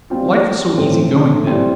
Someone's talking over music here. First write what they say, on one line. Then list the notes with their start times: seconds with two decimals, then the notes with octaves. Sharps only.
Life was so easy-going then.
0.10 G3 C4 F4
0.78 A2 F3 A3 C4
1.45 G3 C4 E4